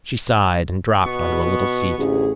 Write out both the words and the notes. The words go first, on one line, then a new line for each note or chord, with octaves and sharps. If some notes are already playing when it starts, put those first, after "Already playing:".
She sighed and dropped onto a little seat.
B2 B3 C#6
A1 D2 G#4